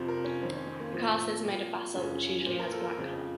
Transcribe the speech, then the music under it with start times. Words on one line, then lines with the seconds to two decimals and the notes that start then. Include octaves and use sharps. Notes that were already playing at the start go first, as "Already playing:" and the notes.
The castle is made of basalt which usually has black color.
Already playing: F2 C3 F3 C5
0.08 A#4
0.24 C#4
0.42 F2 D#3 C4
0.55 C#4
0.67 C4
0.80 A#3
0.93 A2 F3 C4
1.44 A#2 F3
1.95 F#2 C#3 F3 C#4
2.46 A#2 F3 C5
2.59 A#4
2.72 A4
2.84 A#4
2.98 F2 C#3 F3